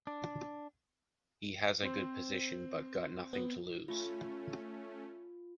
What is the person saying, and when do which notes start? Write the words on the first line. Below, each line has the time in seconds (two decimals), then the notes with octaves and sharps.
He has a good position but got nothing to lose.
0.07 D4
1.83 C4 C5
3.33 B3
3.88 A3 C#4 F4